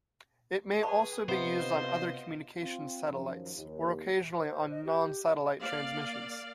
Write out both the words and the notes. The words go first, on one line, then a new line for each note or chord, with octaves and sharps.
It may also be used on other communications satellites, or occasionally on non-satellite transmissions.
G#4 B4 A5 B5 C#6
C3 B3 F4 C5 D#5
C4 F4
F#2 D#3 F3
D#2
C5
D#5
G4
A#3 D5 F5